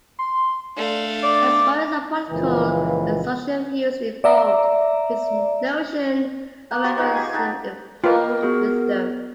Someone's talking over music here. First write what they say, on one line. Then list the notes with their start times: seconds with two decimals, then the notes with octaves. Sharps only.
As Warren's political and social views evolved, his notion of Agrarianism evolved with them.
0.19 C6
0.77 A3 D4 F5
1.23 D5
2.31 C#2 A#2 E3 F3
4.24 D5 E5 A#5
6.71 A#3
6.84 F#4 G4 C5 C6
6.98 D#4 F4 F#4 G#4
7.13 G4 G#5 D#6
7.33 D#4 G4 F#5 A5
8.04 F4 A#4 B4 D#5 G5
8.43 B3 F#4 G#4